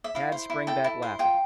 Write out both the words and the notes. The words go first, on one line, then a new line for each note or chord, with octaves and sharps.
Tad sprang back laughing.
E5
E4 F5
C5
E4
A4 G5
E4
C5
F4 G5